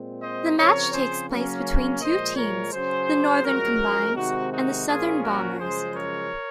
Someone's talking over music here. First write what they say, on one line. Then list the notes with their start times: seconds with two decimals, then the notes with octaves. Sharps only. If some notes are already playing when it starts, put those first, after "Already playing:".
The match takes place between two teams, the Northern Combines and the Southern Bombers.
Already playing: A#2 G#3 C4
0.22 C5 D#5
0.58 C#3 F3 C4 A#4 C#5
0.94 G#4 C5
1.29 C#3 F#3 A#3 C#4
2.01 A#2 F3 G#3 C5 D#5
2.37 A#4 C#5
2.73 C#3 F#3 C#4 G#4 C5
3.44 F#2 F3 G#3 C#4 F#4 A#4
4.16 C3 D#3 G#3 C4 D#4 F#4
4.52 D#4 F#4
4.88 A#2 F3 A#3 C#4 F4 G#4
5.23 F#4 A#4
5.59 F#2 C#3 F3 G#3 G#4 C5
5.95 A#4 C#5